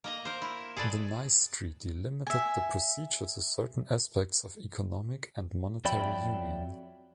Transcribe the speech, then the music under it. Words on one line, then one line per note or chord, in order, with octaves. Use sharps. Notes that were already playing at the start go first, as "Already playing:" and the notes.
The Nice Treaty limited the procedure to certain aspects of economic and monetary union.
A#3 D#5 A#5
A#4 C5
E4
G#4 A4 B4 D5
E5 G#5
F2 F#3 D5 E5 G5 B5